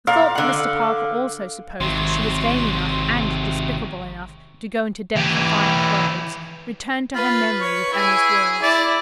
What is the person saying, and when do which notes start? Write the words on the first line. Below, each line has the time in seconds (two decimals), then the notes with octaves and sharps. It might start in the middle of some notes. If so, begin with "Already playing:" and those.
The thought that Mr. Parker also supposed that she was vain enough and despicable enough to go into debt for fine clothes returned to her memory with Annie's words.
0.07 A#2 F5
0.35 D3 F#5
1.80 G#1 C3 F#3 C6
5.16 E3 G4
7.15 F4 B4
7.61 C#5
7.93 E4 G#4 G#5
8.62 E4 D5